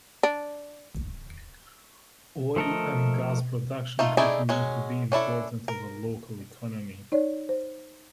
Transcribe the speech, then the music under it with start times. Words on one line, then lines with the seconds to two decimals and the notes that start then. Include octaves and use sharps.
Oil and gas production continue to be important to the local economy.
0.23 D4
2.56 F3 A3 A4 A#4 D#5
3.99 A3 D#4 F4
4.17 A3 D#4 E4 G#4 D5
4.49 F#3 G#3 C#4
5.12 C#4 D4 E4 A4
5.68 A#4
7.12 D#4 C#5 D5
7.49 C5